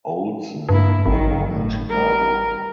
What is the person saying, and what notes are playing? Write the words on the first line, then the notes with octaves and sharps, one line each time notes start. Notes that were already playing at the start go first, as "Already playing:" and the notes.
Ohlson was born in Chicago.
G2 A#3 E4
G#1 D#3 F#3
A2
G3 A#4